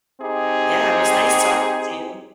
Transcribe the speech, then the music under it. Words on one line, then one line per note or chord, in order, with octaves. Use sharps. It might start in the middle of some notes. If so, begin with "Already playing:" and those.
Yeah, it was nice talking to you.
C4 D#4 G4 G#4